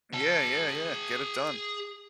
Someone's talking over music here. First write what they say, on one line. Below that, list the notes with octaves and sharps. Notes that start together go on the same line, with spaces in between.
Yeah, yeah, yeah, get it done.
G#4 A5